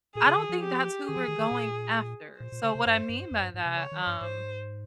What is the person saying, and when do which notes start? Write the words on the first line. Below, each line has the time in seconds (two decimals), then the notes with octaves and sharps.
I don't think that's who we're going after. So what I mean by that, um,
0.15 A#2 G#4
0.27 C#3
0.37 D#3
0.49 F3
0.60 G4
1.05 D#3 G#4
1.16 F3
1.28 D#3
1.39 D#3
1.51 A#2
2.40 A#2 C5
2.52 A#2
2.64 C#3
2.75 C3
2.86 G2
3.09 G2
3.31 F2
3.42 G2
3.54 G#2
3.66 C3
3.76 C#3 C#5
3.92 D#3
4.07 G2
4.21 G#2 C5